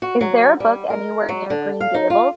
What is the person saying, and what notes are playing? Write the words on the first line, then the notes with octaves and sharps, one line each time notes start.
Is there a brook anywhere near Green Gables?
F#4
F#3
G3
A#4
F#3
D3
F5
D#4
F4